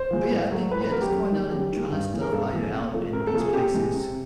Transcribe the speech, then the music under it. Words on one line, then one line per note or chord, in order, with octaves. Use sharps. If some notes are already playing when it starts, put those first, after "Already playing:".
but yeah, I think yeah, just going out and trying stuff while you're out in these places
Already playing: C5
F3 G#3
A2
F#3 A3
A2 B4
B4
F#3 A3 A#4
G4
F#2
D#3 G#3
F#2 G4
D#3 G#3
G2
E3 G#3
A#4
G2 A4
E3 G#3
C3
F3 A3
C3 A#4
A4
F3 A3
G#4
C3 G4
E3 G#3
C3